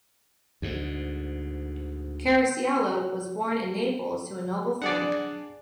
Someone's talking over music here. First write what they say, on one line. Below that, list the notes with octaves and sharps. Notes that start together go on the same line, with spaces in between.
Caracciolo was born in Naples to a noble family.
D2 G#2
D4 G#4 D5 F#5